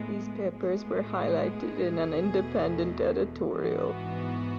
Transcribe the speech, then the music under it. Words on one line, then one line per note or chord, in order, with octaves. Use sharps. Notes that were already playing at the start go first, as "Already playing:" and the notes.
These papers were highlighted in an independent editorial.
Already playing: A2 G#3 B3
A2 G#3 B3
G#4
E2 B2 A3
G#2 E3 B3 F#4